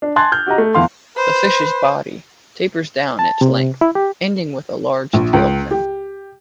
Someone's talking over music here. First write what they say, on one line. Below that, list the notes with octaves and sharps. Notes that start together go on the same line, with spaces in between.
The fish's body tapers down its length, ending with a large tail fin.
D4
G#5 A5 C6 F#6 G#6 A6
F6 G6
F#4 G4 D#5 A#5
A3
E2 E3 F5 C6
B4 C5
A5
C3
E4
G4
A#1
C#2
G4